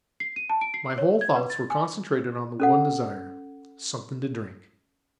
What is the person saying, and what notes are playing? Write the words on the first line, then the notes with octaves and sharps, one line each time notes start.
My whole thoughts were concentrated on the one desire--something to drink!
C7
D#7
A5
D7
C7
C#5
G#6
B4
A6
G#5
C#4 A4 F#5